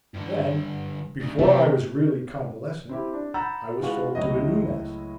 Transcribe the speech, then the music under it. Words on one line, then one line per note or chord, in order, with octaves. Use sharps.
Then, before I was really convalescent, I was sold to a new master.
G2 D3
D2 D#3
C3 A3 G4
C4 E4 G4
D4
F#5 A#5 B5 E6 G6 A6
E3 G#3 F4 F#4 B4
C#2 A2 F#3 E4 D#5